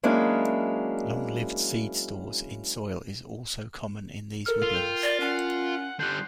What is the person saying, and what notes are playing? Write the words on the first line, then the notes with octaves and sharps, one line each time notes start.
Long-lived seed stores in soil is also common in these woodlands.
F#3 G#3 A#3 C#4 D4 E4
A4 A#4 F6
F4
G5
D5
C#4 F#5
D3 G3 C6 F#6 G6